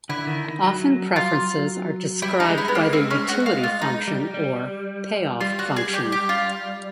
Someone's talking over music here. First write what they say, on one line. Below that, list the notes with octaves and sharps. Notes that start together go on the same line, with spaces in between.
Often preferences are described by their utility function or "payoff function".
D3 E4
D#3
F#3
F4
G3 E4
D#4
G#3
E4
B3
A#3
C4
C#4
F#4
F4
F4
D#4
G3
G3
G3 F4
F#4
G#4
G4
G4
F4